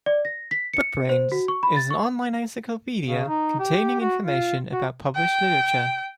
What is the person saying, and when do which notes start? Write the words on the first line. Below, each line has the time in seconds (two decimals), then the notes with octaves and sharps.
BookBrainz is an online encyclopedia containing information about published literature.
0.06 D5
0.25 A#6
0.51 B6
0.73 C#7
1.09 C5
1.32 F#4
1.48 C#6
1.63 B5
1.76 A6
1.91 C#6
3.06 C#3
3.28 D#4
3.59 G4
4.01 F#4
4.24 F4
4.73 F#4
5.15 G5